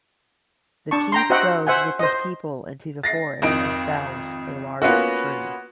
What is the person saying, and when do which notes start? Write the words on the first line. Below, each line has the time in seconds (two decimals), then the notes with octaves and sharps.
The chief goes with his people into the forest and fells a large tree.
0.91 D4 A5 C#6
1.12 G5 A#5 C6
1.30 F#4 C5 D#5 E5 F#5 G5
1.67 C5 E5 F#5 G#5
1.99 C5 D#5
3.03 A6 A#6 C7
3.42 G#1 F2 D#4 D7
4.82 A#3 B3 C#4 F4 F#4